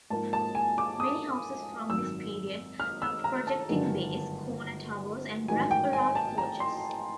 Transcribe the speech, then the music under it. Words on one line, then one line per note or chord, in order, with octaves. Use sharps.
Many houses from this period have projecting bays, corner towers, and wrap-around porches.
G#2 F3 A#3 A5
A5
G#5
D6
D#6
G#1 F#2 D#3 E6
F6
E6
A#5
A5
G1 F#2 D#3 G#3
A1 G#2 D#3 F#3 G#5
G5
G#5
A5
A#5
C6